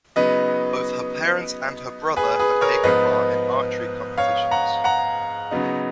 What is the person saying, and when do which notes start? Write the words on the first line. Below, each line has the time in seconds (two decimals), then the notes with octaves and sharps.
Both her parents and her brother have taken part in archery competitions.
0.16 C#3 F#3 B3 D#4 B4 D#5
2.16 G#4 B4
2.39 G#4 B4
2.61 A#4 C#5
2.83 G#2 F3 B3 D#4 B4 D#5
4.18 C#5 F5
4.51 F#5 A#5
4.84 F#5 A#5
5.51 C#3 F#3 B3 D#4